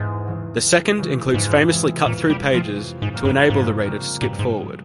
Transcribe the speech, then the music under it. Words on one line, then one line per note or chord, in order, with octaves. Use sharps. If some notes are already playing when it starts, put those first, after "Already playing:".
The second includes famously cut-through pages to enable the reader to skip forward.
Already playing: E2 G#2
C#3 E3 G#3
E2
C#3 E3 G#3
F2 G#2
C3 E3 G#3
F2 A#2
G3
C3 E3 G#3
F3
F2
G#2
C#3 G3 A#3
G2
F2 G#2
C#3 G3 A#3
G2 A#2
G#2
F3 G#3